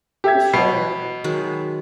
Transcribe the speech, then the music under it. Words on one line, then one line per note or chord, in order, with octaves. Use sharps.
Oh, sure.
G4 A4 E5 G#6
B2 D#5 F#5 C7
D#3 F#3 G#3